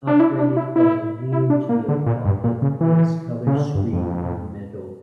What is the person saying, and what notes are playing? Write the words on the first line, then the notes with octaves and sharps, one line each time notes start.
Upgraded from the Neo Geo Pocket, it has a color screen in the middle.
D4
E4
D4
E4
E4
E4
D4
A#3
D3
A#2
G2
A#2
C#3
E3
C#3
D3
G2
F2